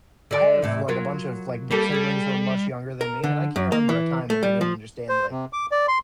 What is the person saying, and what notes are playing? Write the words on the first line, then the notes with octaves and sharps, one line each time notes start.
I have, like, a bunch of, like, siblings who are much younger than me, and I can't remember a time when they didn't understand, like,
D3 D5
E2 A2 C3
F#3 F4 A#4
G3 A#3 G4 A4
G#4 A4
A#4
D3
F#2
A#3
E3
A3
G3
F3
C5
C3
D6
D5
C6